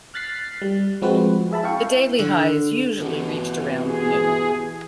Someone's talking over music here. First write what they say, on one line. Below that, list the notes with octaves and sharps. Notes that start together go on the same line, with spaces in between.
The daily high is usually reached around noon.
F6 F#6 A6 B6 C7
G3
F3 G#3 C4 F#4 B4
G#4 E5 A5 B5
E4 E5 F5 G5 C#6
D3
E3 B3 F#4 G4
G#4